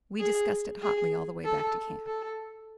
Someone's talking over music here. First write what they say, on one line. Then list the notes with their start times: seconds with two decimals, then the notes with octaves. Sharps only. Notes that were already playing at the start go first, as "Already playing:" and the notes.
We discussed it hotly all the way back to camp.
0.20 G#4
0.82 G#4
1.45 A4
2.07 A4